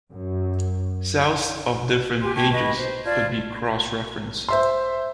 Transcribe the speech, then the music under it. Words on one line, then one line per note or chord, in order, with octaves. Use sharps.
Cells of different pages could be cross-referenced.
F#2
G4 G#5 C6
G5 A5 C#6 G#6
B4 D#5 B5 C#6
C5
F4 D5 A5 G#6
C5 E5 C6